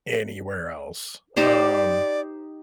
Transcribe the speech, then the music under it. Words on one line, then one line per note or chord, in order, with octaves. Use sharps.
anywhere else. Um.
D#4 G4 C5 D5